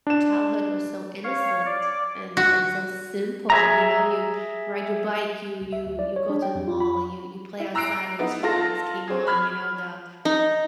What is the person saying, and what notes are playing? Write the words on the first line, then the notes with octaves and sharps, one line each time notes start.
childhood was so innocent, and and so simple, you know, you ride your bike, you you you go to the mall, you you play outside when the street lights came on, you know, the
D4 E7
C#5 F5
D5
F#4
G#4 E5 A#5
C2
E5
D2
D5
C#5
D4
G5
F2
F4
B5
E4
A#5 E6 F#6 C7 D7
B3 D#4 E4
F4 A4 A#6
C4 G#4
B5 F6 G#6
D#4